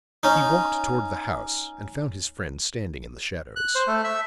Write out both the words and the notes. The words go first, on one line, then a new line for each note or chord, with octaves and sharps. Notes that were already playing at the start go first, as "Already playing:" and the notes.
He walked toward the house and found his friend standing in the shadows.
C#4 D#4
F#6
C5
A3
E5